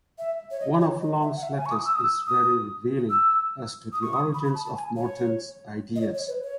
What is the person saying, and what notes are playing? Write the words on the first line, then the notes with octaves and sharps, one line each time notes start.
One of Long's letters is very revealing as to the origins of Morton's ideas.
E5
C#5
D#5
C#5
D#5
E5
F#5
E5
G#5
C#6
D#6
E6
D#6
E6
D#6
E6
D#6
C#6
D#6
B5
B5
A5
A5
G#5
C#5
D#5
C#5
C#5
B4
C#5